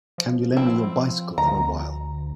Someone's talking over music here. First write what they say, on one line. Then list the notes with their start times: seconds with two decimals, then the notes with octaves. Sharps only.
Can you lend me your bicycle for a while.
0.18 F3
0.57 C4 E4
1.38 D2 A#5